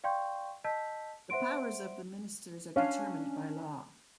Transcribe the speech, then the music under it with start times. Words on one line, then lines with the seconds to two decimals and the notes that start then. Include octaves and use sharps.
The powers of the ministers are determined by law.
0.04 D5 F5 G5 C6 C#6 G6
0.64 D#5 A5 E6 G6 B6
1.30 C5 E5 F#5 C6 D7
2.76 C#4 D4 C#5 F5